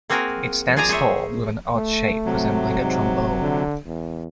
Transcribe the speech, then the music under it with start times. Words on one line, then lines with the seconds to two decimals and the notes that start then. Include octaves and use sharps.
It stands tall, with an odd shape resembling a trombone.
0.10 A#3 C4 F#4 G#4 A#4
0.77 F3 G#4 D5 G#5 A#5
0.89 G#4 C5 C#5 E5
1.76 A3
2.25 C3 F#3
2.79 G#2
3.41 D3
3.86 E2